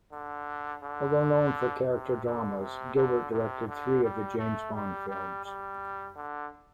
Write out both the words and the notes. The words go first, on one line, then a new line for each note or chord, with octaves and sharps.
Although known for character dramas, Gilbert directed three of the James Bond films.
D3
D3
C3
D3
C3
D3
C3
D3
G3
A3
G3
G3
G3
D3